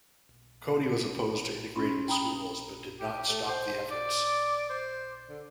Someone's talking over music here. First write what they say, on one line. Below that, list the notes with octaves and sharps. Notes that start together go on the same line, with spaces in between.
Cody was opposed to integrating the schools but did not stop the efforts.
C#4 B5 C6
G5 A#5 B5 D#6
G4
A3
C5
D5
C5
D3